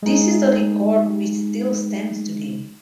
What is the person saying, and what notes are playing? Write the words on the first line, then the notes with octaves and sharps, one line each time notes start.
This is a record which still stands today.
G#3 D#4